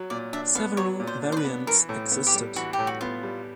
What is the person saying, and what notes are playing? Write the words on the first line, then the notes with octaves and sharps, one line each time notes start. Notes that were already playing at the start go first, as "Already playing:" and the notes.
Several variants existed.
Already playing: F#3
A#2 D5
D4 E5
B3 F5
F#3 C#5
A#2
C5
D4
C5
B4
B3
E3 A#4
A2
B3
G4
G3
E3 F#4
G4
A2
F#4
B3 F4
G3